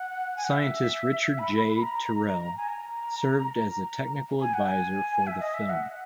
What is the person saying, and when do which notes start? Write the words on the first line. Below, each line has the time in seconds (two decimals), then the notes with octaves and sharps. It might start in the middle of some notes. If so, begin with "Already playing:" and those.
Scientist Richard J. Terrile served as a technical advisor for the film.
Already playing: F#5
0.37 G#5
0.45 F#5
0.53 E5
1.39 B5
1.82 A#5
2.57 G#5
2.68 A#5
3.54 A#5
4.40 G#5
4.54 F#5
4.68 G#5
5.27 E5
5.40 D#5
5.54 E5
5.70 F#5